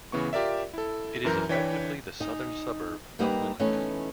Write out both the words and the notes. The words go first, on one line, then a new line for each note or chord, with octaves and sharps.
It is effectively the southern suburb of Willington.
C#3 E3 B3 C#6
F4 G4 A#4 D5 E5
E4 A4
F#2 E3 A#4 A#5 G6
E3 D4 C#5 G5 B6
D#4 G#5
G3 A#3 D#4 G4 B4 F#5
E3 A3 B3 C#4 D#4